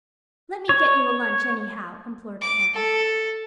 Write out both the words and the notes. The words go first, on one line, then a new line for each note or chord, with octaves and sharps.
"Let me get you a lunch anyhow," implored Anne.
C#5
D6
A4